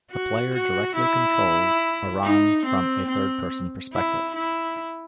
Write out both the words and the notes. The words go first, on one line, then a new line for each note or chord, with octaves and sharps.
The player directly controls Arran from a third person perspective.
F#4
F#4
E4
D#4
C4
C4
E4
E4